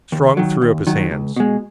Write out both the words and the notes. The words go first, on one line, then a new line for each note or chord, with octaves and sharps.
Strong threw up his hands.
D#2
D#3 F#3
D#2
D#3 F#3
C#2
B2 G#3